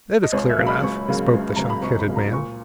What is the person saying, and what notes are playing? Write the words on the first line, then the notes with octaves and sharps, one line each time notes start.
"That is clear enough," spoke the shock-headed man.
D#5
C#2 C#5
E5
C#3 F#3 A#3
B5
C#2 C#6
C#3 F#3 A#3
C#2
C#3 F#3 A#3 A#5
B5
C#2 C#6
B5
C#3 F#3 A#3
A#5
A#2 C#6